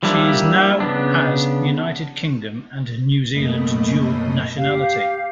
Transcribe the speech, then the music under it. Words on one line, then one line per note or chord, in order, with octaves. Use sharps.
She is now has United Kingdom and New Zealand dual-nationality.
F3 G3 A#3 D4 E4
C#3 B3 D4
F#2 B2 A3 A#3 D#5 B5
G4 F5